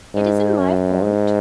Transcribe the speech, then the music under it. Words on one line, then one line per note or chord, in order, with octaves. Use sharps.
It isn't my fault.
G#2
F#2
G#2